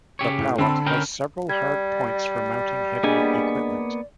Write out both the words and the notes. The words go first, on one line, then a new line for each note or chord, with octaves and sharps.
The pallet has several hard points for mounting heavy equipment.
C#3 G4 C#5
A2
D3 C4 A4 B5
C#4 A#4 G5
G3 D5 G#6
A#3 B3 D4 G#4 D#5 G#5